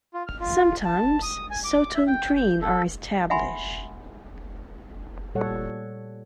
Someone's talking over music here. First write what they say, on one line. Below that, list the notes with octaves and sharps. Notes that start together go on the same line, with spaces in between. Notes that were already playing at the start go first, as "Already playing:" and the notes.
Sometimes "sotto 'ndrine" are established.
F4
F6
F4
A5
D#6
G#5
D6
E5
G5
G6
A4
E5 F#5 G#5 B5 C6
A#2 G3 A4 C#5 F#5